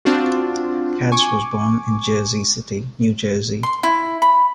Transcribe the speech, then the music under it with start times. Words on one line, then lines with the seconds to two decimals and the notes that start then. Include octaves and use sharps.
Katz was born in Jersey City, New Jersey.
0.05 C4 D4 F4 F#4
1.12 G#5 C#6 D6
3.63 C6
3.83 E4
4.22 B5